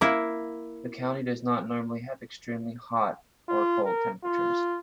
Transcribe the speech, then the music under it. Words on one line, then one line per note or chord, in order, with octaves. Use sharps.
The county does not normally have extremely hot or cold temperatures.
A#3 E4
F4
A#4
F4